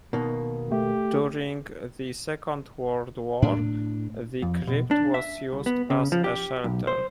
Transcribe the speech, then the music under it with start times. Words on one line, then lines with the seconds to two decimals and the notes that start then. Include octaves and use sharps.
During the Second World War, the crypt was used as a shelter.
0.13 B2 D#3 A#3
0.72 A3 G4
3.42 A2 D4
4.42 F2
4.67 B2
4.91 D4
5.14 E5
5.53 C2
5.66 B3
5.90 C#3
6.12 F3
6.24 G4
6.64 B1
6.87 C5